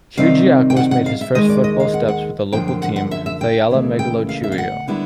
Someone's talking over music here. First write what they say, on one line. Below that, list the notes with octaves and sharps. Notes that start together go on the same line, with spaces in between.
Kyrgiakos made his first football steps with a local team, Thyella Megalochoriou.
C3 D#3 G3 C4 D#4 F5
G5
F#5
F#5
F5
E5
D#2 D#3 G#3 D#5
D5
D#5
F5
F#5
F#5
F#2 D3 F3 A#3 G5
G5
F#5
F#5
E5
E5
G5
D#2 C#3 E3 A3
G5
F5
E5
F5
F#5
D3 G3 B3 E4